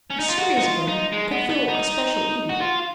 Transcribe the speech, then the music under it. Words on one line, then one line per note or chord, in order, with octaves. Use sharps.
A series of them could fill a special evening.
C#4
D#4
F4
F#4
D#4
F4
D#4
G#3
B3
B3
D#4
F#4
F4